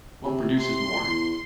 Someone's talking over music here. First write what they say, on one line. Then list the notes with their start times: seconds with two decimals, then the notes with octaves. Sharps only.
what produces more?
0.24 C3
0.59 C6
1.06 E2